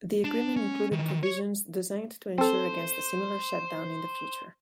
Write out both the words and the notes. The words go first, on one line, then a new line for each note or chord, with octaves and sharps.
The agreement included provisions designed to ensure against a similar shutdown in the future.
D4
C#4
D#3 E3
C#5
C4 A4 C5